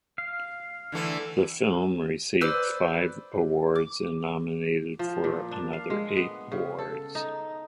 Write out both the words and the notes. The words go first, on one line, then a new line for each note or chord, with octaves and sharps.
The film received five awards and nominated for another eight awards.
F5
D3 E3 A3
B4 C5 D5 E6
D6
F3
A#2
D4
F5
G#3
B3
C#3
A4
D#4